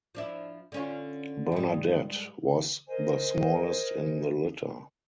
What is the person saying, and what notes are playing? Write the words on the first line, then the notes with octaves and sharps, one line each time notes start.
Bernadette was the smallest in the litter.
F3 D4 E4
D3 C#4 F4
G#2 G3
A#4 C5 D#5 G#5